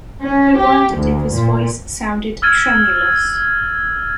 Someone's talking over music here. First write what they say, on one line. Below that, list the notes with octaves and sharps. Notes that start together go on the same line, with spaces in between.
He wondered if his voice sounded tremulous.
C#4
G4
D2
A#2
E6 F6 G#6 A6 D#7